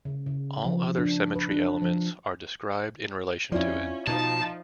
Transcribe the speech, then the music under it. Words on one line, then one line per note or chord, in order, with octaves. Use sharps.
All other symmetry elements are described in relation to it.
C#3
C#3
F3
D4
B4
D4
F3
F2 F3 C#4 E4 F4 D5
B2 F3 D#4 A5